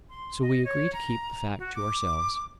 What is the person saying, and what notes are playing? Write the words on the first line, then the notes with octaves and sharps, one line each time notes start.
So we agree to keep the fact to ourselves.
C6
D#5
C#5
A#5
F#4
D6